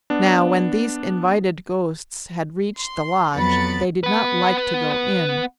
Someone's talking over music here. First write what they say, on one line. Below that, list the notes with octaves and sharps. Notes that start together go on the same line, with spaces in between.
Now when these invited ghosts had reached the lodge they did not like to go in.
B3 D4
C6
F2 F#3 B3 B5 A6 C#7
B3 B4